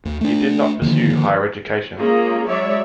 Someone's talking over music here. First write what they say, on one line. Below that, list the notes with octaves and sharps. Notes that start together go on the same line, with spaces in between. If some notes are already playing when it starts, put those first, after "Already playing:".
He did not pursue higher education.
D2
A3 D4
D3 D#3 F3 A#3
G#3 A#3 C#4 F4 G#4 A#5
F#3 G#3 C#5 D5 E5